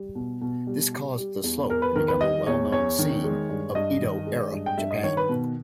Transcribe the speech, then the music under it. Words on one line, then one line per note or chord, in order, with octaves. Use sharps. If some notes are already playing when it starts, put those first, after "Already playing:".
This caused the slope to become a well-known scene of Edo-era Japan.
Already playing: G3
B2
B2
G3
G3
G3
E2
E2 A#4
B4
D#3 A#4
B4
G3 D#5
E2 C#5
E2 C#5
D#3
G#3
G2
G2 D#5
D#3
G#3
G2
G5
G2 E5
D#5
D#3 C#5
B4
B2